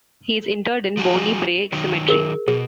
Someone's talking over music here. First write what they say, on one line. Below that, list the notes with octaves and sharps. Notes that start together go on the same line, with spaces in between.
He is interred in Bonnie Brae Cemetery.
F3 F#4 G#4
D#3 F#3
G#4 A#4
B2 G#4